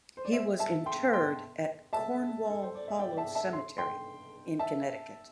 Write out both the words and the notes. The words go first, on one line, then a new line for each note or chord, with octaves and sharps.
He was interred at Cornwall Hollow Cemetery in Connecticut.
C5
D5
C5 E5
E5 A5
G5 C6
G5 C6
E5 A5
A4
C5
D5
E5
D5 G5
E5 A5
E5 A5
C6
G5 C6
E5 A5